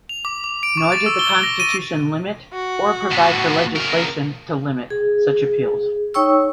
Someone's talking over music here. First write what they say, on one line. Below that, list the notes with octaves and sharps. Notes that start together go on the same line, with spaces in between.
Nor did the Constitution limit, or provide for legislation to limit, such appeals.
F7
D6
D6
D7
C#6
A6
E6
G7
A#6
D#7
F#4
A2 B3
C#3 A#4
G#4
D#4 C#5 G5 C#6 E6